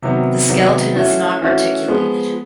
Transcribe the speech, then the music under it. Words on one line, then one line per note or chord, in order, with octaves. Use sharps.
The skeleton is not articulated.
C3 D#3 F#3 B3
C3 D#3 F#3 B3
E3 A3 C#4 F#4
E3 A3 C#4 F#4
F3 G#3 B3